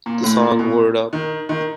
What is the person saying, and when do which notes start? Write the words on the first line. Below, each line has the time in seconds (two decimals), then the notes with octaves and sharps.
The song Word Up!
0.06 A#2
0.24 A2
0.42 A#2
0.59 B2
1.13 D#3
1.49 D#3